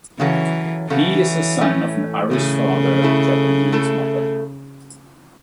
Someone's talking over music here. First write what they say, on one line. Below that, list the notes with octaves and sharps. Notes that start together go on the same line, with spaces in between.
He is the son of an Irish father and a Japanese mother.
C#3 E3 F#3 C#4 A4
C#3 E3 F#3 C#4 A4
A2 A3 C#4
A2 C#3 A3 C#4
A3 E4 A4
A3 E4 A4